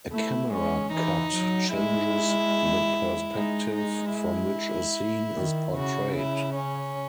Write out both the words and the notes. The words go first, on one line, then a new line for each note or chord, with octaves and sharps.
A camera cut changes the perspective from which a scene is portrayed.
A3 E4
G#3 C#4
E3 D#4
F#3
G#3 E4
G#3 D#4
D#4
E4
D#3
C#3 F#4
E4
C#4